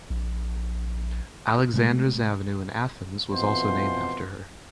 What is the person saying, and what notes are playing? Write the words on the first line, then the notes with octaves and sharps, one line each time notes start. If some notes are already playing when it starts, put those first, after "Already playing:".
Alexandras Avenue in Athens was also named after her.
A#1
C3 G#3 A3
F2 B2 E3 F4 C5